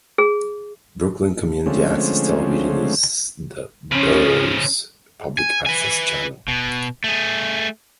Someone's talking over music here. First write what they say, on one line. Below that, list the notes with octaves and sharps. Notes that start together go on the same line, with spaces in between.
Brooklyn Community Access Television is the borough's public access channel.
G#4
D3 F3 G#3 A3 C4 C#4
C#3 F3 C#4
G#5
B4 G#5
B2
A3 G#4